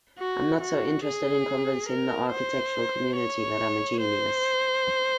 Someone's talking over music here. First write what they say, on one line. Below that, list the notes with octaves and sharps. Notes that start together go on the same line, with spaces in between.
I'm not so interested in convincing the architectural community that I'm a genius.
F#4
F#4
G#4
A#4
C5
C#5
C5